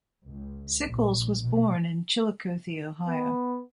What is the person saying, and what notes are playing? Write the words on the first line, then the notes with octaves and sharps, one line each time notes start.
Sickles was born in Chillicothe, Ohio.
C#2
A#1
B2
B3